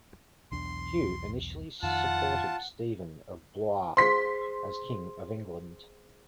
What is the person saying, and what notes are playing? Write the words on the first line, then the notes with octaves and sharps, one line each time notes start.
Hugh initially supported Stephen of Blois as king of England.
B1 E2 D4 C6
F2 D#3 F4 F#5 A5
G#4 C5 C6 B6